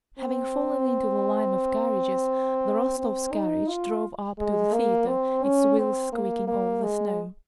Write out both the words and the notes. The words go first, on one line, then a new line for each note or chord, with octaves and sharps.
Having fallen into the line of carriages, the Rostovs' carriage drove up to the theater, its wheels squeaking over the snow.
C4
C4
D#4
F4
G#3
A#3
C4
C#4
C4
A#3
A#3
G#3